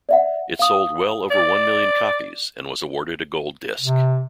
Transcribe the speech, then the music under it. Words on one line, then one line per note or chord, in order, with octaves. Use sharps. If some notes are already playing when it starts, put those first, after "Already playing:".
It sold well over one million copies, and was awarded a gold disc.
D5 E5 F#5
F5 D#6
D5
C3